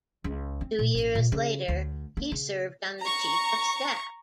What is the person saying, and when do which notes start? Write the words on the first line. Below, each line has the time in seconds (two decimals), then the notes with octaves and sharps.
Two years later, he served on the Chief of Staff.
0.24 C#2
0.61 C4
0.79 A#2
0.95 A1
1.15 A#2
1.32 C#3
1.68 D2
2.17 A#3
2.32 C#3
3.01 A#5 C#6